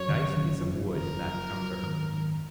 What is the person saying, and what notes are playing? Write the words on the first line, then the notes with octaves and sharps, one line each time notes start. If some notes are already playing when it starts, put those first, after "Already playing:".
Nice piece of wood in that counter.
Already playing: F#2 C#5
F#1
F#1
F3
F#1 A#4
F3
F#2
G#1
G#1